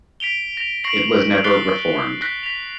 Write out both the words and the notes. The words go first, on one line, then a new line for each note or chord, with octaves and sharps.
It was never reformed.
B6 D7 F7 G7
A#6 F7
C#6 A#6 C7 D7 F#7
F#6 A6 B6 C7 G7
F#6 A#6 B6
B6 F7